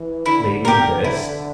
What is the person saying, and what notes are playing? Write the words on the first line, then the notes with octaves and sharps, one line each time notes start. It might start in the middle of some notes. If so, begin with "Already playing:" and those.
Lady this.
Already playing: E3
D3 E4
G4 A#4
E4